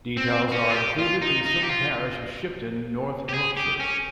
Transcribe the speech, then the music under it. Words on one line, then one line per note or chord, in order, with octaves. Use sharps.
Details are included in the civil parish of Shipton, North Yorkshire.
C4
C#4
F4
G4
F4
D#4
D#4
G4
F4
G4
G#4
G4
C#4